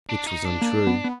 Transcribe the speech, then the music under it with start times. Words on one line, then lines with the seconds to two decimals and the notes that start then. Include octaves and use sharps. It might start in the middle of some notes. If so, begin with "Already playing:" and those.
Which was untrue.
0.09 D4
0.27 D#4
0.45 D4
0.61 A#3
0.87 B3
1.04 B3